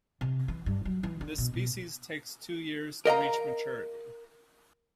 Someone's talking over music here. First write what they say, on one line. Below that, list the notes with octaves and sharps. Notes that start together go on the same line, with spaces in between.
This species takes two years to reach maturity.
C3
E3
G2
F#3
E3
D3
B2
B2
A#4 D#5 F5 A#5